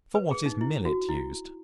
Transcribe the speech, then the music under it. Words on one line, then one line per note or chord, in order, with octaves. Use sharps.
For what is Millet used?
B4
G#4
D#4
E4
F#4
E4